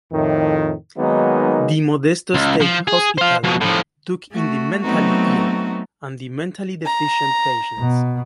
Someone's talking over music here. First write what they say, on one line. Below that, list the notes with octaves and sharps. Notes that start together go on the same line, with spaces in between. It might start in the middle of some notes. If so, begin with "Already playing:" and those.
The Modesto State Hospital took in the mentally ill and the mentally deficient patients.
F2 A2 D#3
D#3 F#3 G#3 A#3 B3 D#4
C#2
F3
G#4
C5 F5
F2 B2
A2 F3
A3 F#4
F#3 A3 B3 C4 D#4 F#4
A#5
B2